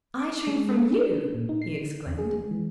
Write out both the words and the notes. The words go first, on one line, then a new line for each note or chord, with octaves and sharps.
"I shrink from YOU!" he exclaimed.
D6
G#3
A4
D4
A#2
D#4
C7
D3
E2
G#4
G#3
E3